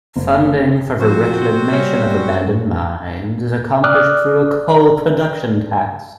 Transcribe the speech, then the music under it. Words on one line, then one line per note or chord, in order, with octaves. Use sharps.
Funding for the reclamation of abandoned mines is accomplished through a coal production tax.
F#1
F3 C4 F#4 C5
G3 C#4
D5 D6 D#6 F6 F#6